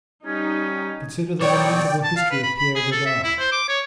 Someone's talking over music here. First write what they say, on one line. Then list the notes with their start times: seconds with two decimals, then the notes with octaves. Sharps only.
Consider the lamentable history of Peire Vidal.
0.26 G3 C#4 D#4
1.41 B1 C#5 D5 G5
2.04 A5
2.16 F5
2.31 B4
2.43 B5
2.58 B5
2.75 G#4
2.92 A4
3.06 E5
3.24 E4
3.39 C5
3.52 D6
3.68 C#5